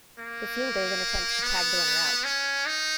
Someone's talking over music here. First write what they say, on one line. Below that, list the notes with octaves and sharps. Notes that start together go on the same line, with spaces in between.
The fielder then attempts to tag the runner out.
A#3
B3
C#4
D#4